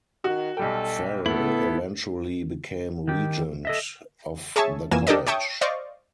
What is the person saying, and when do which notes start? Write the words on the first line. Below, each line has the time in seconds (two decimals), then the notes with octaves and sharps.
Farel eventually became regent of the college.
0.24 D#3 F#4
0.57 B1 G3 A4 G5
1.26 A2 B3 E4 A4 F#7
3.07 D#3 G4
3.65 A4 D#5 E5
4.56 G#4 C#5 E5 G#5 A5 C#6
4.91 F2 B2 E3 A#3 G#5 E7
5.07 D4 G4 A4 A#4 D5 D#5
5.27 C#5 E5 G5 A5 C#6 D#6
5.61 C5 D5 D#5 F5 C#6